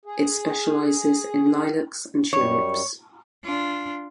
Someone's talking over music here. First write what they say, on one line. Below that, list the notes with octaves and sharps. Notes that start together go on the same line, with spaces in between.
It specializes in lilacs and tulips.
G#4
F#2 G3 C#5
D4 F4